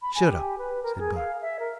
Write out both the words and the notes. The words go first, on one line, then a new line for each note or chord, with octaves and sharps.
"Shut up," said Buck.
B5
G#5
G4
B4
A#4
G#4
F5
E5
A#4